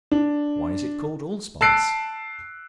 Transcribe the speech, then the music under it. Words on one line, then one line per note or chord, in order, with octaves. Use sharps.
Why is it called Allspice?
D4
A5 E6 F#6 C7 D7